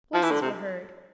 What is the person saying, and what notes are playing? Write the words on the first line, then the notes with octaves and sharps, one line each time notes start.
Voices were heard.
F3
E3
D3
C3